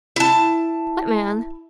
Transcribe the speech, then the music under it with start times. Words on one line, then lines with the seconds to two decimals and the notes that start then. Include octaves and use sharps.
"What man?"
0.16 E4 A5